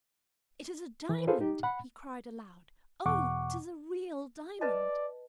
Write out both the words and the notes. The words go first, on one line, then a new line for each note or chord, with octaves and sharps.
"It is a diamond!" he cried aloud; "oh, it is a real diamond!"
E3
F4 G#4 A4 B4 C5 F5
D#4 G4
F#5 B5
E2 B2 F#5 C#6 D6
B4 D5 D#5 A5